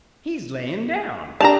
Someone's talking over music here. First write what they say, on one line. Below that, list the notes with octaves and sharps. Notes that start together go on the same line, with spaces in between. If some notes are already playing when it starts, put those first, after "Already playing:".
"He's layin' down!"
D4 G4 A5 A#5